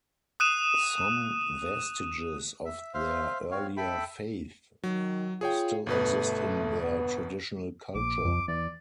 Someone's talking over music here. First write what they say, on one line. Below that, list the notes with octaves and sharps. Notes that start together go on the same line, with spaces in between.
Some vestiges of their earlier faith still exist in their traditional culture.
D#6 F#6 D#7 E7
E5
C5 E5 F5
C4 F#4 C#5 F5
A4 E5 G5 B5
D#3 F#3
F4 G#4 C#5 G5
G1 B2 A3 B4
B3
A#1 D6
F2
E2 D5